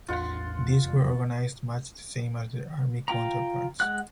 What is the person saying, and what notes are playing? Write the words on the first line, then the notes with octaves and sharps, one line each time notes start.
These were organized much the same as their Army counterparts.
A1 E2 D4 F4 F#5 C6
F1 E2 C3
F4 G5 A#5
G#3 F#5 F#6